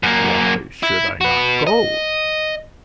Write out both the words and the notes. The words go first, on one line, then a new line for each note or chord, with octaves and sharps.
"Why should I not go?"
F#2 A#3
E4
F#4 B4
D#5